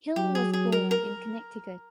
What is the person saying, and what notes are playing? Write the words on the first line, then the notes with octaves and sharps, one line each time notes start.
Hill was born in Connecticut.
F#3 G4
G#4
G#4
A#4
A#4